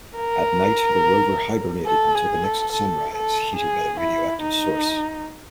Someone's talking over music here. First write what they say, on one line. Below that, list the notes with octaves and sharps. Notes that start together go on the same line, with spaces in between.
At night the rover hibernated until the next sunrise, heated by the radioactive source.
A#4
A4
G#4
A4
A4
A4
G#4
E4
D#4